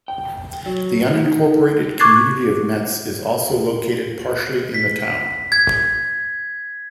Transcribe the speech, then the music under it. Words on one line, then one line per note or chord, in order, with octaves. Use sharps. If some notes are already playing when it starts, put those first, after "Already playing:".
The unincorporated community of Metz is also located partially in the town.
G5
F#3
A2
D#4
C#6 D6 F#6 G#6 A6 C7
B6
G#6